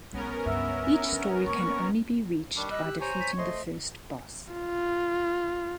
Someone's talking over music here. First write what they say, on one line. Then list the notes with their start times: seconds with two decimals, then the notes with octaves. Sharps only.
Each story can only be reached by defeating the first boss.
0.13 B1 G#3 B3 C#4 A#4
0.46 C#2 G2 E5
1.13 D4
1.47 G#3 A#3 C#6
2.57 D#3 G3 D4 C#6
2.71 D#5 E6 F#6
2.85 G4
3.01 C5 C#5 G#5 A#5
3.20 B6
3.38 A3 C5 D#5 C6
4.53 F4